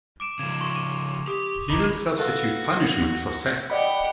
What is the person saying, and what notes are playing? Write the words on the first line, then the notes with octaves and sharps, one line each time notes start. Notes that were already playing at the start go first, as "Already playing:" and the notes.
He will substitute punishment for sex.
D6 D7 E7
C#3 F3 G#6 E7
C6 C#6 E7
D6 D#7
G4 D6 D#6
D3 D#5 A#5 B5 D6 G#6
F4 F#4 A4 B4
G4 D5 D#5 F#5 B5